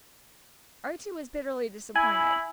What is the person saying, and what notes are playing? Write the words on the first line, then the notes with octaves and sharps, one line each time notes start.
Archie was bitterly disappointed.
E4 G#5 B5